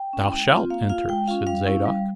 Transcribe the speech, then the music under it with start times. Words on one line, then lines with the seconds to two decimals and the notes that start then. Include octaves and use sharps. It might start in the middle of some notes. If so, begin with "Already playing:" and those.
"Thou shalt enter," said Zadok.
Already playing: G5
0.13 C#4 E4
0.32 G#3
0.51 C4 F4
0.70 A#3 F5
0.89 F4 F5
1.09 G#3 G5
1.28 C#4 F4 F5
1.47 G3 F5
1.66 C#4 E4
1.86 G3